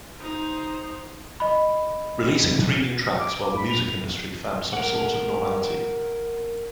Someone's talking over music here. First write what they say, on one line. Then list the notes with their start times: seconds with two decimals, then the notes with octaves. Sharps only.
Releasing three new tracks while the music industry found some sort of normality.
0.21 D#4 C5
1.40 D#5 B5
3.18 D6
3.56 B5
3.70 F7
4.73 A#4 F#5